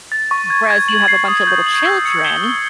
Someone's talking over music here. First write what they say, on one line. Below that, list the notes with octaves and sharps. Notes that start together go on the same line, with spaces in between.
whereas you have a bunch of little children
A6
C#6
G#6
G#6
F#7
C7
D#6
G6
F#7
E6
C#7
G7
G7